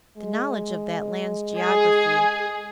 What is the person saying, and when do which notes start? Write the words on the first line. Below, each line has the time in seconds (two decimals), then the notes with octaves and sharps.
The knowledge of that land's geography . . .
0.17 G#3
1.59 G#4